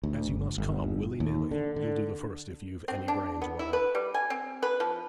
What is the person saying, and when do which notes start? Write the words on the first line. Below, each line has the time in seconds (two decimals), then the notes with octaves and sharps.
As you must come, willy-nilly, you'll do the first if you've any brains whatever.'
0.03 D2
0.28 G1
0.58 G1
1.20 D#2
1.51 D3
1.76 D3
2.88 C4
3.08 D4
3.42 B3
3.59 E4
3.73 B4
3.95 G3
4.14 G#5
4.30 C4
4.63 B4
4.80 F3